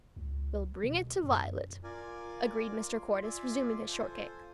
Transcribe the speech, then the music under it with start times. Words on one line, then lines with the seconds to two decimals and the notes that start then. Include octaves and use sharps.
"We'll bring it to Violet," agreed Mr. Cordyce, resuming his shortcake.
0.16 C#2
0.83 B2
1.24 F#2
1.84 F4 A#4 D5 G#5
3.23 D5 E5 G#5
3.88 A4 C5 G#5